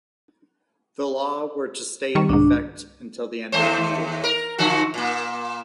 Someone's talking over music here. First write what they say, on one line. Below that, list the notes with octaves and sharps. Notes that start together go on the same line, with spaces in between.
The law were to stay in effect until the end of the year.
D#3 G3 C#6
C2 G#2 D4
D#2 A3 C5
A#4
D3 F3 F#4
A#2 A#3